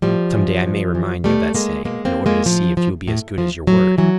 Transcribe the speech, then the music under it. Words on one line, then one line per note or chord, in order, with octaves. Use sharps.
Some day I may remind you of that saying, in order to see if you will be as good as your word.
A2 F3 G3
E3
A2
E3
B2 G3 A3
G#3 A#3
B2 G#3 A#3
A#3 C4
G#3 A#3
A2 F3
F3
A2
F3
A2 F#3
E3 F#3